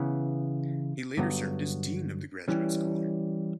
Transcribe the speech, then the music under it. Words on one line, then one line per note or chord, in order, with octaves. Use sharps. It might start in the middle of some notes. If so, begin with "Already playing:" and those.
He later served as dean of the graduate school.
Already playing: C#3 E3 B3
G2 D3 F#3 B3
E3 G3 C#4